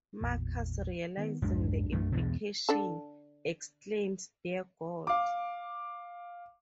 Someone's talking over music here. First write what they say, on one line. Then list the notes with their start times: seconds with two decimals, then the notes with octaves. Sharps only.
Marcus, realizing the implication, exclaims Dear God!
0.21 A1 E2 A#2
1.17 D#3 B3
1.42 B1 F2 G#2 D4
1.92 F#2 A3
2.12 E2 G2 B2
2.69 D3 D4 A4
5.07 F5 D6